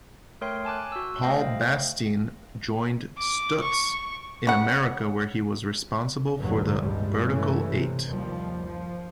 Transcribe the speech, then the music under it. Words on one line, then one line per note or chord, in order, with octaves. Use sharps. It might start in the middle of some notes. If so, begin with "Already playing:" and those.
Paul Bastien joined Stutz in America where he was responsible for the Vertical Eight.
A3 A#4 C#5 G5 C6 C7
G#5 A5 D6 F#6
F#4 E6
A3 C5 D#5 F5 G5
D6
C#6
C#3 F#5
A1 E2 G2 A#2 D3 F#3
G#1 C#2 G2 D3 G3 G#3
G2 B2 E3 A3 C#4
C3
D#2 F3 G3
F3